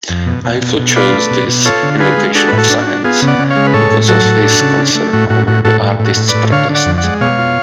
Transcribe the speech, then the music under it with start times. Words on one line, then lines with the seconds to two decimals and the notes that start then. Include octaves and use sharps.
Eiffel chose this "invocation of science" because of his concern over the artists' protest.
0.09 F2
0.26 B2
0.44 B2
0.61 B2
0.79 B2
0.96 F4 B4 D5
1.13 A3
1.31 B2
1.48 B2
1.65 F4 A4 C#5
1.83 D3
2.00 F4 G#4 B4
2.17 G#3
2.35 D4 F#4 A4
2.48 A2 B4
2.58 F#4 A4
2.70 D4
2.82 F#4
2.87 D4
3.04 B3 F4 G#4
3.22 C#3
3.28 D5 F#5
3.39 C#3
3.50 C#5 F5
3.56 G#3
3.67 B4
3.74 A2 A4 C#5
3.91 A2
4.08 F#3 F#4 A4
4.25 A2
4.43 D4
4.61 C#3
4.78 D4
4.95 A3
5.13 A2 F#4
5.30 A2 F#4
5.47 A2 F#4
5.65 A2 F#4 A4
5.82 A2
6.00 A2
6.05 F#4
6.17 A2
6.28 B4 D5
6.34 A2
6.51 D3 C#5 F5
6.69 D3
6.75 D5 F#5
6.86 F2
6.98 D5 F#5
7.04 G#3
7.21 B2 C#5 F5
7.39 F4